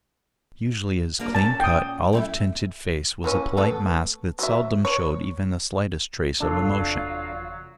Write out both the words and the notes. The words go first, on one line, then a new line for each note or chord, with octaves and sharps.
Usually his clean-cut, olive-tinted face was a polite mask that seldom showed even the slightest trace of emotion.
A#3 D4 A#4
A#2 C#4 A5
G5 D#6
G3 A3 E4
E3 A#3 C#4
A3 B3 A4
F#3 E5
C#5
F1 E2 F#3 D4 F4 A4 D5 F5